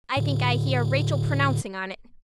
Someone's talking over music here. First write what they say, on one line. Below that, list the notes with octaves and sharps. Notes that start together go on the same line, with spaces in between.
I think I hear Rachel pronouncing on it.
A2 D3